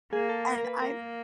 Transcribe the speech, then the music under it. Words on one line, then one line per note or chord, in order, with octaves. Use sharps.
And I'm
A#3 G#4
A4
A#4
A#4
B4
A#3 A#4